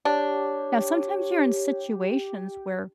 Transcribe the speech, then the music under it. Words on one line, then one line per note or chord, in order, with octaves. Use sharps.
Now sometimes you're in situations where
D4 G4 C#5